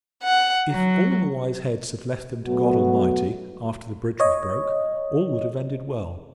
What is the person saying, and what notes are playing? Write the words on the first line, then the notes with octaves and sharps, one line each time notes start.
If all the wise heads had left them to God Almighty, after the bridge was broke, all would have ended well!
F#5
F#3
B2 F#3 A3 B3 F#4
C#5 D#5